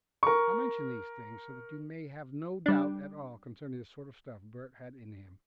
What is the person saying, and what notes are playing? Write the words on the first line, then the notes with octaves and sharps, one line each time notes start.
I mention these things so that you may have no doubt at all concerning the sort of stuff Bert had in him.
A#4 C#6
G3 D4